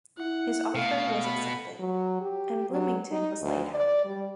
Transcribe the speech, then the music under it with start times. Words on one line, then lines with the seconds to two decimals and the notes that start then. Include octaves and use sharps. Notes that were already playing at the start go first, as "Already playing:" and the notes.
His offer was accepted, and Bloomington was laid out.
0.18 E4 F#5
0.75 B2 A3 F5
1.24 B5
1.79 F#3
2.21 G4
2.70 F#3
3.11 D#4
3.42 D2
3.75 D5
4.05 G3